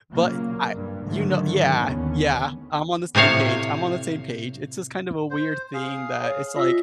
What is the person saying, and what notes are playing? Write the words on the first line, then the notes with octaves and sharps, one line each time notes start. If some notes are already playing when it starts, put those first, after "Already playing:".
but I you kno Yeah, yeah, I'm on the same page, I'm on the same page, it's just kind of a weird thing that it's like
A#2 C#3 F#3 A#3
G2
G#2 D3 D#3 F#3 A3
D#2 D3 D#3 B3 C#4
A2 C3 C5 C#5 F5
C5
G#4 F5
C#5
F4 D#5 E5 E6